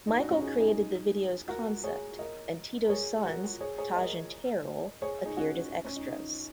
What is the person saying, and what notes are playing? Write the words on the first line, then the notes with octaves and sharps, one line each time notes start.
Michael created the video's concept, and Tito's sons Taj and Taryll appeared as extras.
D#4
C#4 F#4
C#4 F#4
D#4 G#4
D#4 G#4
F#4 A#4
G#4 C#5
A#4 D#5
A#4
G#4 C#5
F#4 A#4
G#4 C#5
G#4 C#5
A#4 D#5
G#4 C#5
D#4 G#4
C#4 F#4
C#4
D#4
D#4